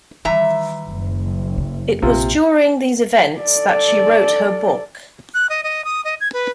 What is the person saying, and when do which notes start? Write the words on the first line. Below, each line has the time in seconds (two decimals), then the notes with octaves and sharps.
It was during these events that she wrote her book.
0.25 D#3 E3 G3 E5 A#5
0.88 F#1
1.58 C#3
2.02 A#1 C3 F4
3.40 A4 D5
5.34 F#6
5.50 D#5
5.64 D#5
5.85 D#6
6.05 D#5
6.21 G#6
6.33 B4